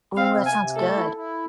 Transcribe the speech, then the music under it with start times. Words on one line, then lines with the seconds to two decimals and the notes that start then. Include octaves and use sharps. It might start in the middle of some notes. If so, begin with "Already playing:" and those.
Ooh, that sounds good.
0.16 C4 F5
0.36 C3
0.46 G#5
0.57 C3
0.76 A3 A4
0.97 E4
1.16 E4